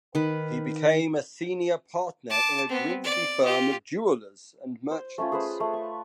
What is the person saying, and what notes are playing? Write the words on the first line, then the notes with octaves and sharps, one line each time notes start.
He became a senior partner in a Grimsby firm of jewellers and merchants.
D#3 B4
A5 D6
B3 C4
D5
F4 G4
C5
A3 C#4 F4
G#4 B4 C5
A3
C#6